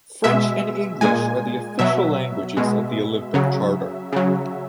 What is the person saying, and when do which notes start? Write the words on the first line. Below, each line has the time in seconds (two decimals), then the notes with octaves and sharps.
French and English are the official languages of the Olympic Charter.
0.24 B2 G#3 E5
1.01 A#2 G#3 G#5
1.79 B2 F#3 E5
2.57 B2 G#3
3.34 C#3 F#3
4.13 C#3 F#3